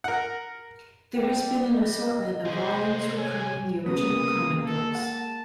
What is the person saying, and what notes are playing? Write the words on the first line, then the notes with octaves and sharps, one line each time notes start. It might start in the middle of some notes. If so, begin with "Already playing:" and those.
There has been an assortment of volumes reprinting the original comic books.
A#4 F#5
G3 G5
D#5
C3 G#4 C5
C#5 G#5
C2 C#3 G#3 A#3 B3 D#6
A4
F#5 A5